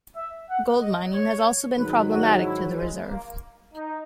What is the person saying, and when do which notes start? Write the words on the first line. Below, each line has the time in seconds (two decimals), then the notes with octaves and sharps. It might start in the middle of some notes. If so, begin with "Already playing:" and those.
Gold mining has also been problematic to the Reserve.
0.15 E5
0.48 F#5
0.80 D#5
1.13 C#5
1.78 G#2 D#3 F#3 B4
2.11 F#4
2.43 E4
2.76 G#3
3.09 A#3
3.73 D#4